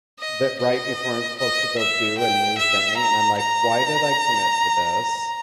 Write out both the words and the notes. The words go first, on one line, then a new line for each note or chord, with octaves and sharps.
that right before I'm supposed to go do a new thing, and I'm like, "Why did I commit to this?
D#5
D#5
D#5
E5
G5
E5
A#5
A#5